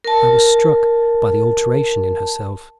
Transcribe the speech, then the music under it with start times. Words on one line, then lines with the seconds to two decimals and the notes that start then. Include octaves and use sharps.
I was struck by the alteration in herself.
0.04 A#4 A5